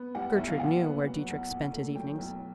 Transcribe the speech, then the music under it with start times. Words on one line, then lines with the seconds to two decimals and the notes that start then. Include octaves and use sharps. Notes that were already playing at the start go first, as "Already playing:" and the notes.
Gertrude knew where Dietrich spent his evenings.
Already playing: B3
0.15 G3 F#5
0.35 B1 E5
0.48 F5
0.59 A#2 F#5
0.82 B3
1.05 F#3
1.28 B1
1.50 A#2
1.73 A3
1.95 F#3 G5
2.18 B1